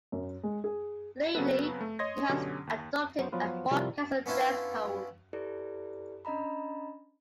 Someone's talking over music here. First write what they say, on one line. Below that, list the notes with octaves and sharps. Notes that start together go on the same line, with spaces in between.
Lately, he has adopted a more casual dress code.
F#2
G#3
G#4
C#3 F#3 B3 C4 A4 B4
A3
C#5 D#5 C6 D#6 G#6 A#6
B2 D3 F#3 C#4 G4
D#2
F#3 B3 C5
F3 F#3 B3 F4 B4
C3 F3 G3 E4 F4 A#4
B3 C#4 D4 E4 F4 B4
E4 G4 A4 B4 D5
C#4 D4 D#5 A#5 B5